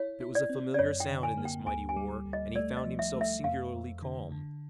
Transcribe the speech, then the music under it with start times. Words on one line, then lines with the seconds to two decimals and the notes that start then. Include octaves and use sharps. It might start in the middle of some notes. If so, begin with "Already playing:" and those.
But it was a familiar sound in this mighty war, and he found himself singularly calm.
Already playing: E4 C#5
0.21 E4
0.35 D5
0.49 C4
0.74 D5
0.79 F#2 C#5
1.00 G5
1.08 D3
1.23 G#5
1.37 A#3
1.45 G5
1.66 D2 G#5
1.89 G#5
1.96 G3
2.26 D2
2.33 D#5
2.56 A3 D5
2.77 D#5
2.85 F3
2.99 E5
3.14 A3
3.21 E5
3.44 F2 F5
3.73 F2
4.02 D3
4.32 D3